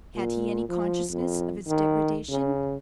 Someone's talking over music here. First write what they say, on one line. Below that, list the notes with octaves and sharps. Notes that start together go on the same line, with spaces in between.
Had he any consciousness of his degradation?
A#2
F3
F2
D#3
C#3